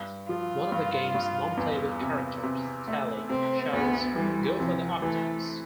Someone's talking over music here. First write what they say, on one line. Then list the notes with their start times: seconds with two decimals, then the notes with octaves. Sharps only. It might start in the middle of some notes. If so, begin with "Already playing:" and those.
One of the game's non-playable characters, Tali, shouts Go for the optics!
Already playing: G2
0.28 F3 F4
0.72 G2
1.15 G2
1.57 E2
2.01 C3
2.43 C3
2.87 A3
3.30 C3 C4
3.73 D2 B3
4.16 E3 G3
4.60 C3 F3
5.02 E3 A3